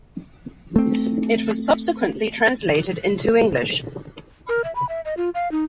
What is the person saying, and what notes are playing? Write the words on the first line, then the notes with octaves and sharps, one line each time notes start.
It was subsequently translated into English.
A3 C4
A#4
E5
B5
E5
D#5
F4
F5
D#4